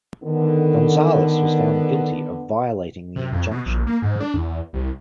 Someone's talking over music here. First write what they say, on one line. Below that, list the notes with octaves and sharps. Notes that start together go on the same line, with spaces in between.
Gonzalez was found guilty of violating the injunction.
D3 D#3 B3
C3
F2
B2
A#1
A#3
G#2
D4
E2
C2